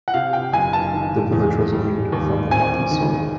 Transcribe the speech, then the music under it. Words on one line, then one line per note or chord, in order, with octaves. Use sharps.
The village was named from the rocky soil.
F#5
C3 F5
G5
F#1 G#5
A5
D#3
E2
G3
D#2
C4 G#5
D#3